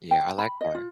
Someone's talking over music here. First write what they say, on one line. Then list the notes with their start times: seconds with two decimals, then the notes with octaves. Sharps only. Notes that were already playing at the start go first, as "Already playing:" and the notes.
Yeah, I like that.
0.11 G5
0.38 B5
0.61 D#5
0.75 F4